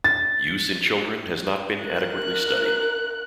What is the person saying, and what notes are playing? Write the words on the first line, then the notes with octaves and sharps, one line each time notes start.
Use in children has not been adequately studied.
A6
A#4 F#6